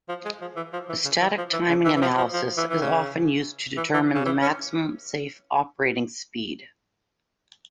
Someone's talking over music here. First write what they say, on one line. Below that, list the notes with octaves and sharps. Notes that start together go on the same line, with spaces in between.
Static timing analysis is often used to determine the maximum safe operating speed.
F3
G#3
F3
E3
F3
E3
C#3
E3
F3
E3
C#3
E3
E3
F3
F3
F3
E3
E3
C#3
E3
E3
C#3
E3
C#4